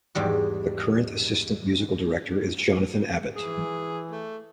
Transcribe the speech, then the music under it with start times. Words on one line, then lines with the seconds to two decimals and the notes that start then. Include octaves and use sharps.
The current assistant musical director is Jonathan Abbott.
0.15 E2 G#2 G3 F#4
3.36 E3 G#4
4.11 A3